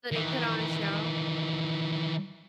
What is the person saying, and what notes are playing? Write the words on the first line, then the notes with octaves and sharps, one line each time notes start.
So, they put on a show?
D#3 E3